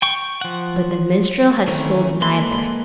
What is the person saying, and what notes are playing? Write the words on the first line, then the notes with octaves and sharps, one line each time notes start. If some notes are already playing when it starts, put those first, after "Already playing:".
But the minstrel had sold neither.
G5 C#6
F3 F#5
D#3 E3 A3 C#4
G#3 A#3 A4 B4 C6